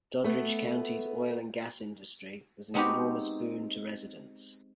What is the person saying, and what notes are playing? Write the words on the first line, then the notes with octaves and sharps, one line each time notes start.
Doddridge County's oil and gas industry was an enormous boon to residents.
A3 B3
G#3 B3 C4 D#4 F#4 G4